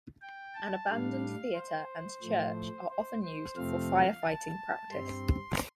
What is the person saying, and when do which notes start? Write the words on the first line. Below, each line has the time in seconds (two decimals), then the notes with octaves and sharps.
An abandoned theater and church are often used for firefighting practice.
0.21 G5
0.55 A5
0.88 A2 G3 D4 F5
1.55 C5
2.22 A2 F3 A3
2.90 C5
3.23 C5
3.56 F2 C3 F3 A3 C4 F5
4.23 A5
4.90 G2 G3 C4 C6